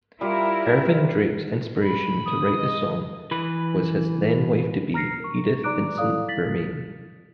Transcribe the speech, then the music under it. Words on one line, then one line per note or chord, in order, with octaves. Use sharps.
Ervin Drake's inspiration to write the song was his then wife-to-be, Edith Vincent Bermaine.
G3 E4 F4 A#4
B5
D#6
D#5
E3 B4
A#5 F6 A#6 C7 C#7
A#4 C#6
D#4 D5 A#5 D6 F#6 D7
E4 A4 D5 F5 D#6
A6 B6 F#7